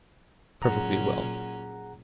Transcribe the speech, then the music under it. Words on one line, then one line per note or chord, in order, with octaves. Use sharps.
"Perfectly well."
A#2 F#3 C#4 G#4 F#5 A#5